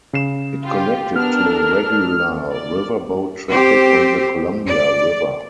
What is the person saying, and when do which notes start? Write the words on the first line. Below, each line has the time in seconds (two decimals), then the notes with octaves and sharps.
It connected to regular riverboat traffic on the Columbia River.
0.13 C#3 C7 E7
0.64 F4 G4
1.15 B3 D4 A#4 F6
1.46 A4
2.53 D5
3.50 C4 G4 C5
4.68 D5